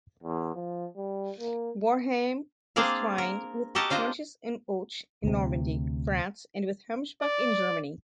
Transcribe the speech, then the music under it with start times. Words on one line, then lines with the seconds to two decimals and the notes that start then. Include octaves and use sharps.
Wareham is twinned with Conches-en-Ouche in Normandy, France and with Hemsbach in Germany.
0.23 E2
0.55 F3
0.96 G3
1.40 A#3
2.76 A#3 C4 D4 G#4 D5 F5
3.18 A#4
3.75 F#4 G4 A4 A#4 D#5 A5
3.90 D4 F4 C5 D#5
5.24 D2 C3
7.22 D5